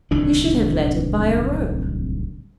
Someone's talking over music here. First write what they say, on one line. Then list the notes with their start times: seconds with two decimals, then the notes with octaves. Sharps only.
You should have led it by a rope.'
0.11 D1 C2 D#3 D4